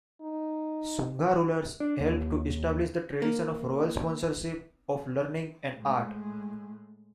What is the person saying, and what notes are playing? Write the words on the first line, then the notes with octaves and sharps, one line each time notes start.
Shunga rulers helped to establish the tradition of royal sponsorship of learning and art.
D#4
D4
D#2
A#3
A2 G#3